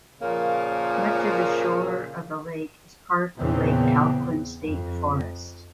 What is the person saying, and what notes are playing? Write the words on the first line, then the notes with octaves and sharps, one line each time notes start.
Much of the shore of the lake is part of Lake Talquin State Forest.
A#2 C#3 F3 A#3
E2 A#2 C#3 E3 B3 C4
F2